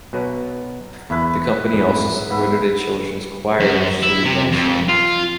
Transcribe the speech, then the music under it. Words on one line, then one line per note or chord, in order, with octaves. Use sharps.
The company also supported a children's choir which toured nationally.
B2 F#3 B4
E2 E4 B4
F2 G#2
G#2 B3 E5
F#2
E4
C3
F2
F4